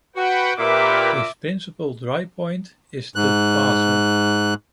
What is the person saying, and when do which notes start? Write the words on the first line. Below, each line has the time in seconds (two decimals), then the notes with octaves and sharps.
His principal dry-point is The Bather.
0.16 F#4 B4 F#5 G5
0.58 A#2 G4 A#4 B4 E5 D6
3.16 G#2 F#6